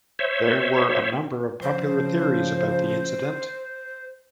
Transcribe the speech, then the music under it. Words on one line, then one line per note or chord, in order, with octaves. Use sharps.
There were a number of popular theories about the incident.
C5 C#5 E5
C#3 F3 C5